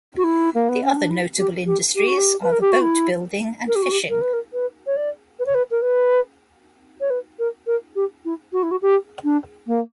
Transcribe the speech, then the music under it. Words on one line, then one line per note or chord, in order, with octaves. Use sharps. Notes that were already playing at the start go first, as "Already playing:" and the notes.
The other notable industries are the boat building and fishing.
F#4
E4
A#3
B3
C#4
D4
E4
G4
G4
G4
F#4
G4
B4
A#4
G4
F#4
E4
A#4
G4
F#4
G4
A#4
B4
A#4
B4
C#5
D5
B4
C#5
B4
A#4
B4
C#5
B4
A#4
A#4
G4
E4
F#4
E4
F#4
G4
D4
A#3